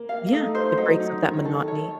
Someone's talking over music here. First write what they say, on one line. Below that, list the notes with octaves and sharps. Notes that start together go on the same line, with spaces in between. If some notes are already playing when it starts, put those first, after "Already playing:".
Yeah, it breaks up that monotony.
Already playing: A#3
F5
A3 D#4
C5
F#3 D#4
D#4
D#3 C#5
A4
C#5